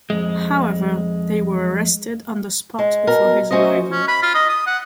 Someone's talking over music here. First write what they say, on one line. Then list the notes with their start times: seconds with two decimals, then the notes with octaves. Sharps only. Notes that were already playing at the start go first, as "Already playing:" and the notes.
However, they were arrested on the spot before his arrival.
0.10 F2 G#2 G#3
2.79 G#3
3.07 B2 A#4
3.51 A3 C#4 F#4 C5 D#5
3.92 C#4
4.08 B5
4.23 F4
4.34 D#5
4.49 D#6
4.67 F#5